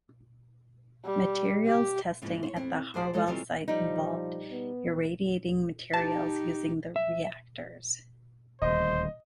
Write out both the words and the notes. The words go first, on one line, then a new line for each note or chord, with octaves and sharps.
Materials testing at the Harwell site involved irradiating materials using the reactors.
G3
G4
D#2 G#2 C#3 E3 F3
C5 C#5
F2 C4 E4
F#4 G#4 C5 D5
E3 G#3 A4 D#5
D#3 E3 F#3 G3 C4 F4
F3 G3 D#4
B3
D#4 G4 A5
E5
D#1 D2 C5 D#5